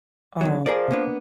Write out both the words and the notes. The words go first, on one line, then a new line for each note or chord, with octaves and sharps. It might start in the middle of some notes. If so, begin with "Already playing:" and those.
Oh. Uh-uh.
E2 D#3 F#3
F3 G#4 A#4 D5
A#3 B3 D4